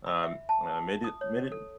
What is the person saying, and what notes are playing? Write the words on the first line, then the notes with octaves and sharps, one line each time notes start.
um, uh, made it made it
B5
E5
A5
D#6
C#5
A4